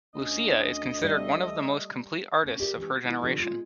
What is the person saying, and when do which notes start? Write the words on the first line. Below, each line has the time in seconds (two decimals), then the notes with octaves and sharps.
Lucia is considered one of the most complete artists of her generation.
0.14 D2 C#4 D#5
1.02 G3 A3
2.43 A#3 C#4
2.60 G4 G#4 A#4 D5 E5
2.76 E3 G#3 C#4 G4
3.03 D#3 G#3 B3 E4 F#4 D#5
3.21 B2 D3 F3 G3 A3 B3
3.38 G#3 B3 F4